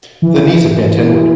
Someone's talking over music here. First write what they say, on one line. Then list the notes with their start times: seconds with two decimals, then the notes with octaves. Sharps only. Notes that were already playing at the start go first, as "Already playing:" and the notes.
The knees are bent inward.
0.22 E3